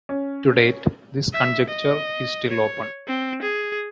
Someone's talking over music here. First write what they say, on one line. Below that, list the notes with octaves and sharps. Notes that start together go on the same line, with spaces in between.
To date, this conjecture is still open.
C#4
E5
D#5
C#5
C4
G#4